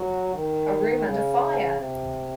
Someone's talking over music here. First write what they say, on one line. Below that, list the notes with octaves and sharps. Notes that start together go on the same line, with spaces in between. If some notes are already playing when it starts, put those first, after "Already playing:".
A room and a fire!
Already playing: F#3
D#3
C#3
C3